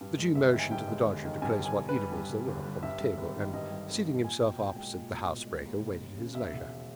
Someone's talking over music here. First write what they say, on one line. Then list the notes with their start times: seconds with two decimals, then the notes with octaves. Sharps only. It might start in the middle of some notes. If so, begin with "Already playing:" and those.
The Jew motioned to the Dodger to place what eatables there were, upon the table; and, seating himself opposite the housebreaker, waited his leisure.
0.01 G2
0.19 G#3
0.35 G1 E5
0.53 D#3
0.59 G#5
0.71 G2 G5
0.88 G#3
1.06 G1
1.25 D#3
1.42 G2 G#5
1.59 G1
1.66 G#5
1.78 G1
1.89 B4
1.94 G3
2.12 G2
2.30 G1
2.48 G1
2.65 G3
2.83 G2 E5
3.00 G3
3.18 G#1
3.36 D#3
3.53 G2 D#5
3.71 G3
3.89 G#1
4.07 D#3
4.24 A#2 G#5
4.41 B1 G5
4.59 B1 G5
4.76 G#3 G5
4.95 A#2
5.12 B1
5.30 B1
5.47 G#3
5.65 D#2
5.82 E1
6.00 E1
6.18 C#3
6.35 D#2 E5
6.54 E1